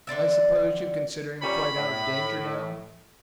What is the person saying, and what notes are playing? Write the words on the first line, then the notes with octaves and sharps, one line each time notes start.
"I suppose you consider him quite out of danger now?"
D3 C4 D5 E5
A#2 G3 C#4 B5
A2